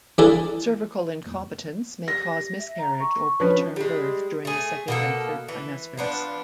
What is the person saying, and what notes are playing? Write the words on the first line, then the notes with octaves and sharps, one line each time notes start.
Cervical incompetence may cause miscarriage or preterm birth during the second and third trimesters.
E3 D4 G#4 A4
G4 A#6
E5
A#5
C#6
F3 C#4 D4 B4
G3 G#3
A3 G#4
B2 A#3 A4
E3
F3 B3 D4